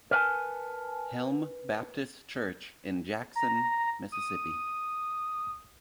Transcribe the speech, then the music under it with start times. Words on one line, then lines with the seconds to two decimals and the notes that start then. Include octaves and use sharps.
Helm Baptist Church, in Jackson, Mississippi.
0.11 A#4 B4 D#5 F#5 G#5 A5
3.36 A#5
4.12 D#6